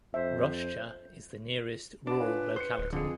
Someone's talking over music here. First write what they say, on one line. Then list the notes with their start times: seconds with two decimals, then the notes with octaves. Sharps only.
Roshcha is the nearest rural locality.
0.14 F2 C5 E5
2.07 D4 B4 F#5 A5
2.20 F4 B4 C#5 G#5
2.56 C5 C7 C#7
2.79 D1
2.93 F2 D3 F4 G#4 C#7